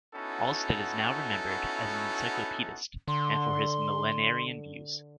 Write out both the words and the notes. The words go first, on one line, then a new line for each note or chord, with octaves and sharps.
Alsted is now remembered as an encyclopedist, and for his millennarian views.
B3 C#4 D#4 E4 F#4 A4
D3 C6